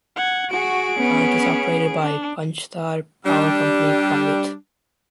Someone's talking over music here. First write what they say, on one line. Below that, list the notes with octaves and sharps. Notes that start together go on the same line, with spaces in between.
The plant is operated by Panchthar Power Company Pvt.
F#5 G#6
F#4 G#4 D7
B3 C#4
D4
G3 D4